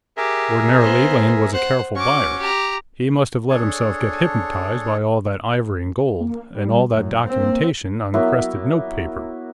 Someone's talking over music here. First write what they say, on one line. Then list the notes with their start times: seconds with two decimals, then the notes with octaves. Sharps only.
Ordinarily, Lane was a careful buyer; he must have let himself get hypnotized by all that ivory and gold, and all that documentation on crested notepaper.
0.17 G4 G#4 A#4 E5
0.80 B3 C5
1.52 C5 F#5
1.95 C#4 F#4 C#5 C#6 D6
2.40 G4 A#5
3.50 D4 G#4 A4 C#5
6.21 A#3
6.54 G3
6.95 F#2 A2
7.25 A#3 C4
8.14 F#3 A#3 B3 E4